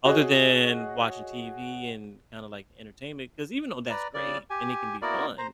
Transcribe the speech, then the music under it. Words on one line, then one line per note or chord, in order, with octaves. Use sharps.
other than watching TV, and, kinda, like, entertainment, 'cause even though that's great, and it can be fun,
F#4 G#4 C#5 D#5 F#5
B4 D5 A#5
C#3 D5
G4 G#5
A#3 B3 E4 F#4 A#4 D5
C5 A#5